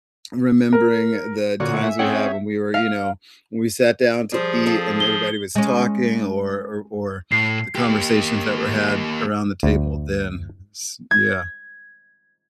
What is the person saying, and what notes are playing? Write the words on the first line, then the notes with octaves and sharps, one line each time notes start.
remembering the times we have when we were you know, when we sat down to eat and everybody was talking, or or or the conversations that were had around the table then, s Yeah.
A#4
A#2 D3 C#4 F#4 C#5 D5 F#5
E5 G#5
C4 C#4 G#4 C#5 D#5 F#5 G5
F5
F3 G3 G#4 C5
C4 F4 A4
G7
G#3 C#4
A2 C7
A#3 G4
D2
G#6